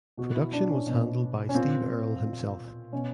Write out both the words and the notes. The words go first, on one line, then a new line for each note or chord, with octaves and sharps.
Production was handled by Steve Earle himself.
B2 F#4
E4
D4
C#4
B2
C#4
A#2 C4
A#2
B2 C#4